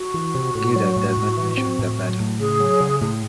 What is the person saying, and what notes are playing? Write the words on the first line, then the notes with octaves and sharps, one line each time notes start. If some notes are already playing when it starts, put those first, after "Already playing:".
Gildas does not mention the battle.
Already playing: F#4
E3
C3
A2
F#3
A2
A2
E3
C4
A2
F#3
A2
C#3 G#4
F#3
C#3
A2 G#4